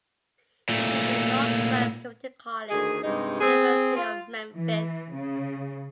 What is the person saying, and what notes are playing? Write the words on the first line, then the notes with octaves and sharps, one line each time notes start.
He attended Northwest Community College and the University of Memphis.
A#2 A3
D2 D#3 G#4
G2 C3 G#3 D#4
C4 G#4
F4
E3
C#3